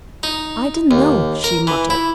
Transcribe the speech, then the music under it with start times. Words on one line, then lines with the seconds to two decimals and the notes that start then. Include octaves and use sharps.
"I--didn't know!" she muttered.
0.23 D#4
0.91 D#2
1.44 A#4
1.67 E3
1.90 E4